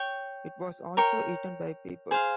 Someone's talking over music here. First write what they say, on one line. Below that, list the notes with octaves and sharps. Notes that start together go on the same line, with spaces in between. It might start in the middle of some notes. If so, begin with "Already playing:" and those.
It was also eaten by people.
Already playing: C#5 G5 C#6
A#4 C#5 G5
G#4 C5 F5